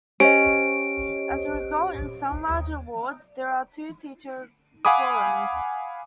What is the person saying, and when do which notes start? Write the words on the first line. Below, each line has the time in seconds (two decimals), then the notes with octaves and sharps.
As a result, in some larger wards there are two teacher quorums.
0.20 C#4 G4 C5 C#5 D#5 D7
4.85 F5 F#5 G#5 B5 D6 D#6